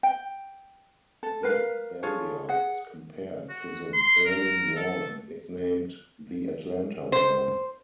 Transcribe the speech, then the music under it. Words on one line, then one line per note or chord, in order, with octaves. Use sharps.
The barrier was compared to the Berlin wall and nicknamed the "Atlanta wall".
G5
A4
A#4 B4 F5
F4 G#4 A4 C#5
G#4 F#5
F#4
C6
A#4
A4
C5